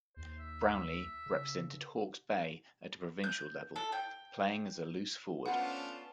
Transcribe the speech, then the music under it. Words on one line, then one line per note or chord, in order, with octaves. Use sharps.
Brownlie represented Hawkes Bay at a provincial level, playing as a loose forward.
D#2 C5
E5
C#3
G6
A4
G5
A3 B3 C#4 D4 F4 C5 F#5 A5